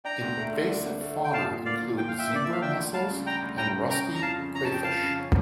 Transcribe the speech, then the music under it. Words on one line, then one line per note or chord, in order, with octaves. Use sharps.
Invasive fauna include zebra mussels and rusty crayfish.
D4 G5 A#5
D2
A3
D3
D4
D2
A3
D3
G5
A#2 F5 A5
A#2
A#3 D5 F5
F3
A#2 G5
F5
A#2
E5 G5
A#3 D5
F3 E5
F5
D4 E5 G5
D2
G3 F5 A5
C#3
D4 G5 A#5
D2
G3 G5 A#5
C#3
C#4 G5 A#5
F2
A#5
F3 F5 A5
C#3
C#4 A#5
A5
F2 G5
F3 F5 A5
C#3
C#4